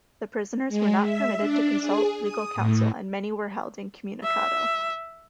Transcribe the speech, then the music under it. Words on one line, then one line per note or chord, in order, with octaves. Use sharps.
The prisoners were not permitted to consult legal counsel, and many were held incommunicado.
G#3
E5
D4
G#4
D#6
A2
E5